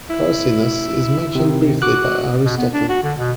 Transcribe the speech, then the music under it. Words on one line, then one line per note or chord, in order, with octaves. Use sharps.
Carcinus is mentioned briefly by Aristotle.
E4
C3 D#3
F#4 D6 F#6
B2
B3
D4
F#4
D3
B2